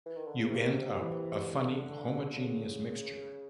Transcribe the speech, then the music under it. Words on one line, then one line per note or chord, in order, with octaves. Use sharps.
You end up a funny homogeneous mixture.
E3
D#3
D3
C#3
C3 A#3
E3
D3
C#3